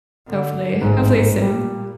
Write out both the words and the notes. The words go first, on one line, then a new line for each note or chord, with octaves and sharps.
hopefully, hopefully soon.
D3
A1 G#2
A#2 G3